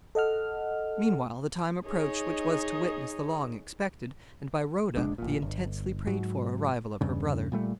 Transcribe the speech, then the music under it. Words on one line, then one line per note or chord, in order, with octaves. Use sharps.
Meanwhile the time approached which was to witness the long expected, and, by Rhoda, the intensely prayed for arrival of her brother.
A4 D#5 F#5 F6
D#4 G#4 C#5 D#5
F1 A#1 G#3 D4
A1 A#2
G1
G#2 F#3
E2 G2 C#3
A#2 G3 A3